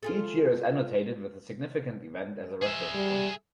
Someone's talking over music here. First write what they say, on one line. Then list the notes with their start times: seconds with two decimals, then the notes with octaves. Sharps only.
Each year is annotated with a significant event as a reference point.
0.03 F4 G#4 A4
2.62 G#4 E5
2.95 G3